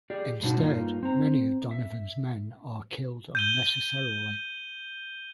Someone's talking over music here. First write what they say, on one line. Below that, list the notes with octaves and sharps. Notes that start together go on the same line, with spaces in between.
Instead, many of Donovan's men are killed unnecessarily.
G4 G#4 D5
G2 B2 D4 D#4 F#4
G2 A#3 D#4 F4
C4 A#5
E5
G6 D#7 G7